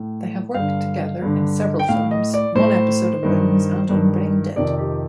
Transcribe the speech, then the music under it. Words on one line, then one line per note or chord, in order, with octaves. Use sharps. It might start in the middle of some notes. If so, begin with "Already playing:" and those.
They have worked together in several films, one episode of "Wings", and on "BrainDead".
Already playing: A2
G2 D3 F5
G2 D3
G5
A2 F5
D#5
D5
A2 C5
G2 D#3
G2 D#3
F2 C3 D#3 D5
G4